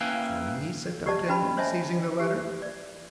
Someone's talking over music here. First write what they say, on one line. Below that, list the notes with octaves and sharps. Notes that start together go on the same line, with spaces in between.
"For me?" said d'Artagnan, seizing the letter.
A#3 C#4 E4 B4 F5 G5
G4 D5 D#5 A5
C#4 F#4 B4 A5 B5
C5 C#5 D#5 E5 G#5 A5
G4
D5